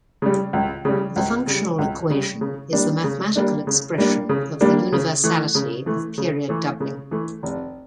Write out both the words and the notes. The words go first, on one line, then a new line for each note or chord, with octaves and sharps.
The functional equation is the mathematical expression of the universality of period doubling.
C#3 G3
C#2
C#3 G3
C#2
C#3 G3
C#2
C#3 G3
C#3
G3 A#3 D4
C#3
G3 A#3 D4
C#3
G3 A#3 D4
C#3
G3 A#3 D4
C#3
E3 A3
C#3
E3 A3
C#3
E3 A3
C#3
E3 A3
F1